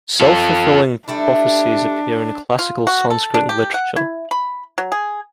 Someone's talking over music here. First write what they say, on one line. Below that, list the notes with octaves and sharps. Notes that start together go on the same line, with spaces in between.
Self-fulfilling prophecies appear in classical Sanskrit literature.
F4 A4
G3 A3 D4 E4
F4
F#4
A4
D4
G4
F#5
E4
B5
F#3
G#4